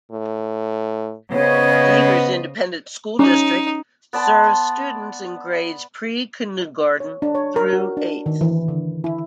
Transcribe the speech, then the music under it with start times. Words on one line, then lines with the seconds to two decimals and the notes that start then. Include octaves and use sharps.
Devers Independent School District serves students in grades pre-kindergarten through eighth.
0.11 A2
1.32 C#3 B3 C5 C#5 D#5
3.19 C#4 D#4
4.13 B3 D5 A5 C6
7.00 C#5
7.22 D4
7.35 C#5
7.56 A#4
7.73 F#4
7.97 D4
8.26 D#3
8.41 E3
8.68 D3
9.04 E4